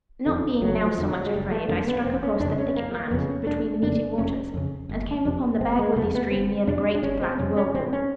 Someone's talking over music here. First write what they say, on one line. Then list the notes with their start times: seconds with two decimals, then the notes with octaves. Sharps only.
Not being now so much afraid, I struck across the thicket land between the meeting waters, and came upon the Bagworthy stream near the great black whirlpool.
0.26 F2 D3
0.61 F#1 F#3
0.86 F3
0.98 F2 D3
1.10 F#3
1.26 G#3
1.33 F#1 G3
1.51 A3
1.69 F2 D3 A#3
1.87 B3
2.04 F1 C4
2.23 C#4
2.40 F2 C#3 D4
2.58 C#4
2.76 F1 A#3
2.94 A#3
3.11 F2 C#3 B3
3.30 C#4
3.47 F1 D4
3.82 F2 C#3 D4
4.18 F1 C#4
4.54 F2 C#3
4.89 G1
5.25 F2 C3
5.61 G1 C4
5.79 G#3
5.96 F2 C3 A3
6.14 B3
6.31 G1 C4
6.67 F2 C3 D4
6.95 D4
7.03 G1 C#4
7.21 C4
7.38 F2 C3 C#4
7.56 C#4
7.74 A1 C4
7.93 C#4